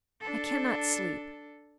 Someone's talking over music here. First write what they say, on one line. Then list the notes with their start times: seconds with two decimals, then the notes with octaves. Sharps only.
I can not sleep.
0.21 D4 A4